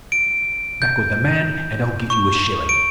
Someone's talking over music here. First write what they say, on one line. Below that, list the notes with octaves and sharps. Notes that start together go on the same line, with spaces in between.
Come back with the man, and I'll give you a shilling.
D7
G6
C#6
D7